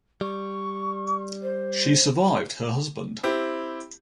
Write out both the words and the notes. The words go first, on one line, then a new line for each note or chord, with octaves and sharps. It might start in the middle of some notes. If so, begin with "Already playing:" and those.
She survived her husband.
G3 C#6
C5
C4 E4 G4